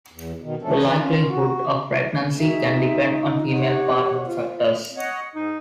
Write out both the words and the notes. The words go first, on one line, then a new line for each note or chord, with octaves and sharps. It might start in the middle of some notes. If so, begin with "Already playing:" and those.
The likelihood of pregnancy can depend on female partner factors.
E2
B2 D#3
D3 F3 A3 C#4 D4 A4
C3 E3
C#4 F4
F#4
D#4 F#4 G#4 E5
F4
G4 C#5 F#5
F4 C5
C#5 D#5 F#5
G#2 D#4